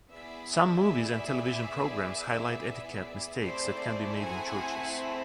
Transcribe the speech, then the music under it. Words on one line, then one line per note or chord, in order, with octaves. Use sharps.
Some movies and television programs highlight etiquette mistakes that can be made in churches.
B3 E4 G#4 D5 E5
A3 C4 E4 G#4 C5 D5
F#5 G#5